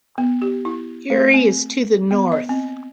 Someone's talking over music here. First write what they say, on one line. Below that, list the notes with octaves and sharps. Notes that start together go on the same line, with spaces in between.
Erie is to the north.
B3
G4
E4
A3
C4
B3
D#5
C4